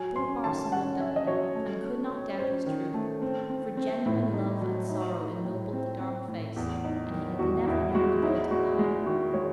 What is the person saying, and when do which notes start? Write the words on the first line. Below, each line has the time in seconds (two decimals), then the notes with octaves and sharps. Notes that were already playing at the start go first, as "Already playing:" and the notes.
The poor parson looked up at him, and could not doubt his truth; for genuine love and sorrow ennobled the dark face, and he had never known the boy to lie.
Already playing: F#3 G#5
0.16 C#4 C6
0.44 D#3 A5
0.72 C#4 F#5
0.99 C#4 E5
1.16 D#5
1.27 F#3 C#5
1.55 A3
1.84 C#4
2.11 C#4
2.39 C#4 C5
2.66 D#3
2.94 A3
3.22 C4
3.50 C4
3.77 C4
4.06 A2 E4
4.34 D#4
4.61 F#3
4.89 D#4
5.17 D#4
5.45 A2
5.73 C4
6.00 C4
6.28 A2
6.56 E2
6.84 D#4
7.11 D#3
7.39 E2 F#4
7.67 E2 E4
7.94 G#3 F#4
8.23 D#4 E4
8.51 G#3 F#4
8.78 G#3 G#4
9.06 D#3 F#4
9.34 G#3 C#5